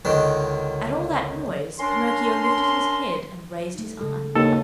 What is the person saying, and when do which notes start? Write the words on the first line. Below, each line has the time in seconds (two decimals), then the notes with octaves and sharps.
At all that noise, Pinocchio lifted his head and raised his eyes.
0.05 C#2 D3 D#3
1.79 C#4 D4 A#4 C6
3.74 A3 D#4
4.01 C#3 G#3 A4
4.35 D#2 C#3 D4 A4 C#5